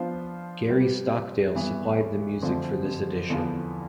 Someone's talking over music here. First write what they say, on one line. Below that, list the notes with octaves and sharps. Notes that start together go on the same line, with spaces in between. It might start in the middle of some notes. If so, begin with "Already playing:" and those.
Gary Stockdale supplied the music for this edition.
Already playing: F3 B3 D4 F4 C5
G3 C4 G4 B4
G2 E3 B3
F2 D3 F3 A3 C4
E2 D3 F3 B3 F4